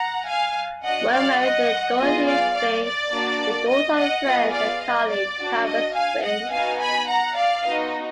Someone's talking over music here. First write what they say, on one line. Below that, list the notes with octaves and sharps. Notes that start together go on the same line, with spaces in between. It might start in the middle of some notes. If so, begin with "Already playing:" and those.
Worm married Dorothea Fincke, the daughter of a friend and colleague, Thomas Fincke.
Already playing: F#5 A#5
F5 G#5
D4 F#4 D#5 F#5
D5 F5
D#5 F#5
B3 F4 G#4 D#5
D5 F5
D5
D5
A#3 D4 F#4
D#5
D#5 F#5
B3 F4 G#4 D#5
D5 F5
D#5
D5
D4 F#4
D#5
F5 G#5
D#5 F#5
B3 D#4 F#4 F5 G#5
G#5 B5
F#5 A#5
D5 F5
B3 D#4 F#4 D#5